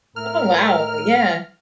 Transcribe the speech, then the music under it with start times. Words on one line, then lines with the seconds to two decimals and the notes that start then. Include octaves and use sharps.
Oh, wow. Yeah.
0.16 A2 A#4 E5 F6